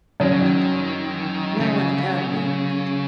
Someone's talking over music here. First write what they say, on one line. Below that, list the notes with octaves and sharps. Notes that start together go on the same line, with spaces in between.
Now an Academy.
F#2 D#3 F#3 C#4
C#3
D#3
C#3